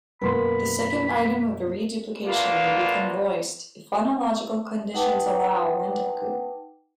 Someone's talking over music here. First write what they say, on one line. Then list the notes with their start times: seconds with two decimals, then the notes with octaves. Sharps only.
The second item of the reduplication may become voiced if phonological conditions allow, rendaku.
0.21 F#2 B2 A#3 B3 A#4 B5 C6
2.24 B2 D3 F3 A#3 E4 F4
4.94 D#4 B4 F#5 G5 A5 D6